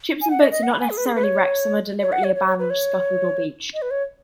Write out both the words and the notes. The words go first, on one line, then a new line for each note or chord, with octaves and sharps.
Ships and boats are not necessarily wrecked: some are deliberately abandoned, scuttled or beached.
G#5
F#5
D#5
D#5
F#5
B5
G#5
G#4
B4
G#4
B4
C#5
C#5
F#5
C#5
C#5
C#5
B4
C#5
D#5
B4
C#5